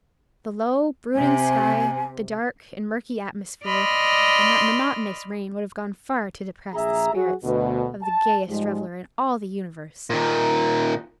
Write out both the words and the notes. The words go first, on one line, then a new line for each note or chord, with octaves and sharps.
The low, brooding sky, the dark and murky atmosphere, and that monotonous rain would have gone far to depress the spirits of the gayest reveller in all the universe.
C3 G#5
D5 D#5 B5 C6 F6
A#1 G#4 E5 A#5
F#3 F#4 G#4
D2 B2
A5
G#2 F3 G3 G#3
A#2 D#3